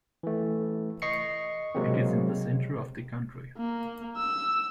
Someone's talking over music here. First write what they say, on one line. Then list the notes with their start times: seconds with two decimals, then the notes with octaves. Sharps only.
It is in the centre of the country.
0.23 E3 A3
1.02 D#5 C#6 C7 C#7
1.75 C3 F#3 G#3 A#3 C4
3.57 A#3
4.17 E6